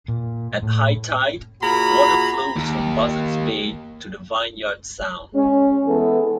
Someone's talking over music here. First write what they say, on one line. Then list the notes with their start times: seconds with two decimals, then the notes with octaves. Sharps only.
At high tide, water flows from Buzzards Bay to the Vineyard Sound.
0.08 A#2
0.62 A2
1.62 A#2 F#4 G#4 A#5 B5
2.56 D#2
5.34 G#3 C#4
5.87 E3 G#3 B3 A4